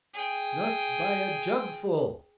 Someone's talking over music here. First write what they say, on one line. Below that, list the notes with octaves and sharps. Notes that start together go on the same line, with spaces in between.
"Not by a jugfull!"
G#4 G5